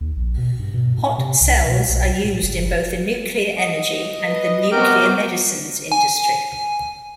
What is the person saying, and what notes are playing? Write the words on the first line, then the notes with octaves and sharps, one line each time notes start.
Hot cells are used in both the nuclear-energy and the nuclear-medicines industries.
D#2
A#1
B2
G2
B2
A2
C3
C2
B2
B1
A2
F#1
D#5
B4
C3 B3 C4 F#4 G4 A#4 G5 D6
G#5